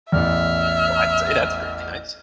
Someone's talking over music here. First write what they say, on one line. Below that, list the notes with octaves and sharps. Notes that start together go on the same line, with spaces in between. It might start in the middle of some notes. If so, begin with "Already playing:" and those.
Well, I'd say that's really nice.
A1 E2 E5 F6